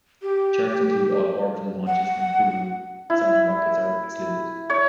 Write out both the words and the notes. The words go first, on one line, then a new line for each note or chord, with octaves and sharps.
Charts include all orbital launches from Kourou; sounding rockets are excluded.
G4
F#5
E4
C#5